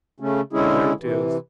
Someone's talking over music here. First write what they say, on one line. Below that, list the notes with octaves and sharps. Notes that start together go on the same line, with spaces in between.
Well, there it is.
C#3 A3 C#4
D3 G#3 C#4 E4 G#4
C3 E3